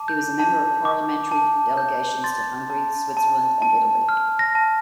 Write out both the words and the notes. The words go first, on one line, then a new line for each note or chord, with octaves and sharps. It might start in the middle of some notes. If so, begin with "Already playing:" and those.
He was a member of parliamentary delegations to Hungary, Switzerland and Italy.
Already playing: A5 D6
G6
A5
D6
A5
G6
C6 A6
A5
A5
A5
F6
A#6
A5